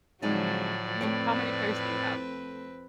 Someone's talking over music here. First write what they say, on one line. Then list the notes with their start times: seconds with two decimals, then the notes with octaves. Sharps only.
Yeah. You how many pairs do you have?
0.22 A2 D3 F3 F#3 G#3 C4 D#4 D5
1.01 F2 A3 C4 B4 C#5 G5